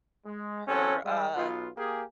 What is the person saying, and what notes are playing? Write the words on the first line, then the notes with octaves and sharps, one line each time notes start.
her, uh,
G#3
E2 C4 C#4 A4
G3 G#3
B1 B3 F4
A#3 G4 G#4